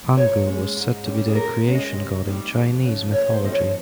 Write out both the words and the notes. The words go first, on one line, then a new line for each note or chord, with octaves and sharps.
Pangu was said to be the creation god in Chinese mythology.
A#2 C#5
G#3 C#4
G#2
G3 C#4
G#4
A#2 A#4
G#3 C#4
D#5
C3
G3 C4 D#4
F2
C#3 F3
A#2 C#5
C5
F3 C4 D#4 D#5
C#5